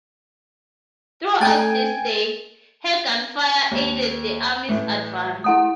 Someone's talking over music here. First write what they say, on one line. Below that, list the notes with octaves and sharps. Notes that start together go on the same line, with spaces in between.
Throughout this day, her gunfire aided the Army's advance.
A3 G5 G#5 A6
D#2
A2 E3 A3
A3 E4 F#5 D#6